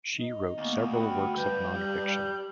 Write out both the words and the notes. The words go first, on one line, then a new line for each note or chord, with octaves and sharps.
She wrote several works of non-fiction.
D#4
D2 A#3 B3
F#4 G5 B5
G2 B4 G6
G3